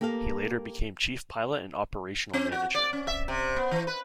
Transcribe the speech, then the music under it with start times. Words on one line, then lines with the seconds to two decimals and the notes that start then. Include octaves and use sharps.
He later became Chief Pilot and Operational Manager.
0.01 A#3 G4 A4 A#4 F5
2.33 C4
2.52 F#4
2.75 D5
2.93 C#4
3.07 E5
3.28 C3
3.56 B3
3.71 E3
3.87 B4